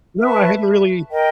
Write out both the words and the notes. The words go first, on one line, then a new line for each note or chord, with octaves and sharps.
No, I hadn't really
B4 E5 A5 C#6
A#4 D#5 G5